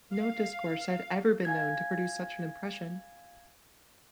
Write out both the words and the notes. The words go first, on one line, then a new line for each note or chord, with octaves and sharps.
No discourse had ever been known to produce such an impression.
F5
F5 G#5 G#6